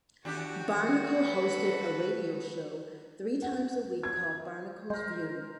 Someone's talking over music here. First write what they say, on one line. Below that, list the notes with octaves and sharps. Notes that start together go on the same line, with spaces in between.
Barnicle hosted a radio show three times a week called "Barnicle's View".
D#2 D4 F#4 G4
A4 B4
F#5
G#6
G#3 A#4 C5